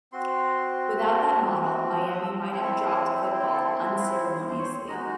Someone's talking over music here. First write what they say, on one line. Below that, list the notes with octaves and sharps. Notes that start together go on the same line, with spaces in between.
Without that model, Miami might have just dropped football unceremoniously.
C4 F#4 C6
D#6
E6
C4 E4
C#6
C6
C#5
C5
C5
A4
G#4
F#4
G#4
C5
C5
C#5
G#3 D#4 F#4 D#5